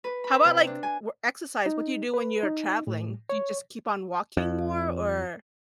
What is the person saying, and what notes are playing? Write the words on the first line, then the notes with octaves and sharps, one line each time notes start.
How about, like, w exercise? What do you do when you're traveling? Do you just keep on walking more? Or
B4
B5
C3
D4
G#5
D#4
B4
D#4
A2
C#5
F2